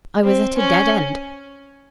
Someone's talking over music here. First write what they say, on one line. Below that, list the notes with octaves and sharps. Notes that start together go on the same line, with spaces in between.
I was at a dead end.
C4
C#4